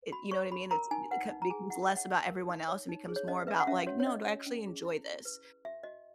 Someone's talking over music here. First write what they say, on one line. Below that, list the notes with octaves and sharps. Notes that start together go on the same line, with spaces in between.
it you know what I mean? It's c becomes less about everyone else and becomes more about like, "No, do I actually enjoy this?"
F#4 B5
C#5 C#6
F#4 B5
A#4 A#5
D#4 G#5
B4 F#5
D#4
A#5
G#4 G#5
E4 F#5
E5
C#5
F#5
E4
A#4
D#4
C#5
D#4
G#4
C#5
C#4 D#5
B4 E5
F#5
C#4 E5
F#4 C#5
C#5
C#4 D#5
C#5
C#4
G#4
E4
E4
B4
B4
F#4 E5
F#4 D#5